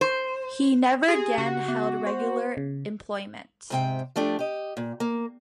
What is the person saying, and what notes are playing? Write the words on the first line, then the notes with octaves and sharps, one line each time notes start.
He never again held regular employment.
C5
G4 G#4
C#3 F#4
B3
C5
C#3
G#2 C3 G5
F3 A3 D4 G4
G4 D#5
A#2
A#3